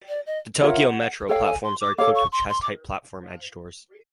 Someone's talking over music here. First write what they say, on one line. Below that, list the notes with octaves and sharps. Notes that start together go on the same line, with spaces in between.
The Tokyo Metro platforms are equipped with chest-height platform edge doors.
D5
D#5
F4 A#4 C#5 E5 F#5
A4 C#5 F5 G5
G#5
C6
D6
A4 C#5 F5 D6
C#6
C6
C6
D6